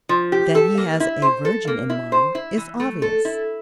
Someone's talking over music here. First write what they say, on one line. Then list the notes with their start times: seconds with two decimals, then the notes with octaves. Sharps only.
That he has a virgin in mind is obvious.
0.09 F3
0.32 G4
0.55 A4
0.78 A#3
1.00 E4
1.22 C5
1.45 A4
1.67 A#3
1.90 E4
2.12 C5
2.35 E4
2.58 E3
2.80 A3
3.02 A4
3.25 E4